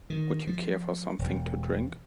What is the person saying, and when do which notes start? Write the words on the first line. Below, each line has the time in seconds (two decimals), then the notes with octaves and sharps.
Would you care for something to drink?
0.10 D#3
0.47 F3
1.19 E1